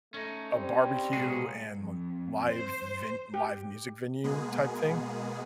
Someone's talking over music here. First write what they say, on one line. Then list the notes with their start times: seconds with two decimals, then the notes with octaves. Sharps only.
a barbecue and live ven live music venue type thing.
0.14 A3 C#4 D#4
0.53 G3 C4
1.13 C2 A#2 G#3 F#4 G#4
1.78 F2
2.50 C5
3.34 G4
4.24 B2 G#3 A#3 B3 G#4